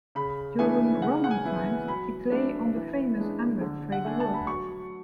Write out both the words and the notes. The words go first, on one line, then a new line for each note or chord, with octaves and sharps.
During Roman times, it lay on the famous amber trade route.
C#3 B5
E3 A3 D4 G#5
C#3 F#5
F#5
G#5
E3 B3 E4
F#3 B5
A3 D4
E3
G#3 D4
D3
F#5
A3 D4 G#5
A5
B5
F#3 C#6